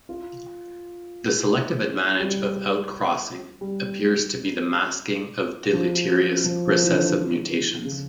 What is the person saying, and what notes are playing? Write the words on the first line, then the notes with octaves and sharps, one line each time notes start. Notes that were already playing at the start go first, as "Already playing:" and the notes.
The selective advantage of outcrossing appears to be the masking of deleterious recessive mutations.
F4
E4
G3
G3
F3
F3
F3
E3
D3
C#3